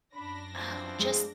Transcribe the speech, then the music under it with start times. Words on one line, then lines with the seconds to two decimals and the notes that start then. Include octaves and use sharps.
Oh, just
0.14 F#2 D4 B5 A#6
0.54 E3 F3 C4
0.99 G#3